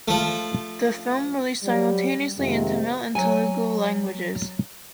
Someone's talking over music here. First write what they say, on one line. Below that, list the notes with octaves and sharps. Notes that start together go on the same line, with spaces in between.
The film released simultaneously in Tamil and Telugu languages.
F3 A3
F#3 G3
F2 C3 D#3 G#3 A#3
F#3 G#5